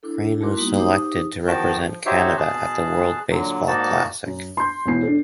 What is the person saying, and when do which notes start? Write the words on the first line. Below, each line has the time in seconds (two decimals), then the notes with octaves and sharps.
Crain was selected to represent Canada at the World Baseball Classic.
0.03 D4 E4 A4
0.41 A3 E4 F#4 A#4 C6 D6
0.57 G3 A#3 B3 D#4 F#4
0.77 D#4 G4 C5 D6 D#6
1.48 E2 D#3 F3 F#4 G5 A5
1.84 F3
2.06 D#4 F#4 G4 C5 C#5 E5
2.38 B2 G#4 A5 F#6
3.30 A#2 D3 F#3
3.68 G#2 A#3 D#4 F#4 D5 A5
4.26 F#2
4.57 C6 G6
4.86 E1 B2 E3 C7
5.03 D4 A4